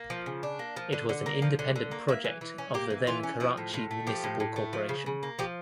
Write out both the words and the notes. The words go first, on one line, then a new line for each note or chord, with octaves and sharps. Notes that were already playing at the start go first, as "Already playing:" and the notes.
It was an independent project of the then Karachi Municipal Corporation.
Already playing: A#3
F3
C#3
D4
A#3
F3
D3
D3
A#3
F3
D3
D3
A#3
A#3 E5
E3
E3
C#4
A#3 G4
E3
E3 F4
C#4
F3 E4
A2
A2 F4
A3
F3 G4
A2
A2
A3
F3
C#3
C#3
A#3
F3 G4